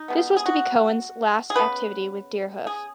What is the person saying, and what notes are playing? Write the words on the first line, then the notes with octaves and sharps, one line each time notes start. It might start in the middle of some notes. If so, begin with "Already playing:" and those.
This was to be Cohen's last activity with Deerhoof.
Already playing: D#4
B2 G#3 B3
G#4
F#4
G#4
C#3 B3 B4
G#4